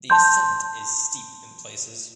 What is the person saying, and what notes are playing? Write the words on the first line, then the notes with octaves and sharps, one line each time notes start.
The ascent is steep in places.
A5 C6 G6